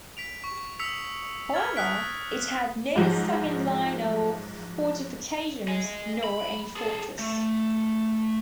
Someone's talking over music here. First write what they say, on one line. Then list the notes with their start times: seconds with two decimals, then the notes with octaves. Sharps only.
However, it had no second line of fortifications, nor any fortress.
0.17 B6 D7 F7
0.44 C#6
0.79 D#6 E6 B6 C#7 F7
1.54 F6 G#6 A6
1.76 D#6 F#6 B6 D7
2.96 G#2 F3 F#3
5.68 D#5 G#5
6.24 B5
6.77 G#4 A4
7.19 A3